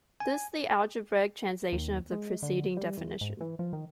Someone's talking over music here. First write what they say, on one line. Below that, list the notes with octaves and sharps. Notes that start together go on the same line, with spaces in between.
This the algebraic translation of the preceding definition.
G#5
D#2
G#3
D3
G3
E2
G#2
E3
F3
D#3